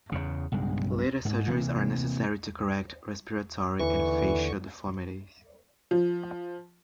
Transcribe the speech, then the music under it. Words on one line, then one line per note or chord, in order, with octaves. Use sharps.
Later surgeries are necessary to correct respiratory and facial deformities.
E2 C#3
B1 G2 C#3 G#3
G#2
C3 E3 A#3
D#2 D3 E3 C#6
F3